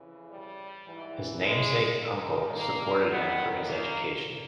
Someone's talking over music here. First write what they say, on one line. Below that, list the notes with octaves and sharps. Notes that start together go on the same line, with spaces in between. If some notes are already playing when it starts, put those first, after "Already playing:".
His namesake uncle supported him for his education.
Already playing: F2 C#3 E3
G3
G#2 E3
G#3
G2 D#3
A#3
F#2 D#3 B3
A#3